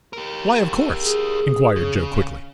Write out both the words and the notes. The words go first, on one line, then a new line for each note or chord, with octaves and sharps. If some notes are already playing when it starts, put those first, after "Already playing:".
"Why 'of course'?" inquired Joe quickly.
G4 A#4
G#4
C#3